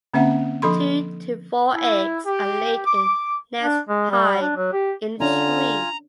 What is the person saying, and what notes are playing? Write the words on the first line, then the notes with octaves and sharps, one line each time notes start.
Two to four eggs are laid in a nest high in a tree.
D3 A#3 C4 C#4 E5 F#5
F3 D4 A4 B5 C6
E4
G4
D6
D4
G#3
G3
D4
F#3
G4
D3 C#4 D4 F4 G#5 A#5